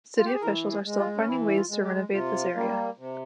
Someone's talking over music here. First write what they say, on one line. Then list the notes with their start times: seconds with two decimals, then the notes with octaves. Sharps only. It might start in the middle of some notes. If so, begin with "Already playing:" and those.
City officials are still finding ways to renovate this area.
0.17 F4
0.26 G4
0.34 G#4
0.42 E3 A#4
0.71 G#4
0.85 G#3
0.99 F4
1.17 C#4
1.27 E3 E4
1.48 E4
1.56 F4
1.70 G#3
1.84 G4
2.13 C3 F4
2.55 G3 A#3
2.98 C3